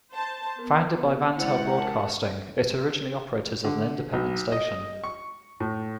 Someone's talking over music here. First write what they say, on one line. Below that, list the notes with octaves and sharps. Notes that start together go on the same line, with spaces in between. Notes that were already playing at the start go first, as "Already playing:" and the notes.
Founded by Vantel Broadcasting, it originally operated as an independent station.
C5 A5
B3 A#4
G#3 C#4 E4 C5 D5 F#5
G4 A#4 A5
D3
B1
D#5
C#6
A2